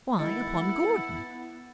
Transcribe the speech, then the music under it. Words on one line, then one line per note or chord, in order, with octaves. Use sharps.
"Why upon Gordon?"
D#3 G#3 B3 E4 A4